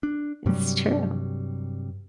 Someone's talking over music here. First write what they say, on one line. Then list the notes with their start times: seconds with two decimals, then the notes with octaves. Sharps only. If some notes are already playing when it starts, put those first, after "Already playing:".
it's true.
0.03 D4
0.46 G2 C3 F#3 G3